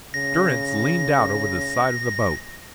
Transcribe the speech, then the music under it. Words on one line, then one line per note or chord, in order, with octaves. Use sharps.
Durrance leaned out over the side of the boat.
C#3 A#6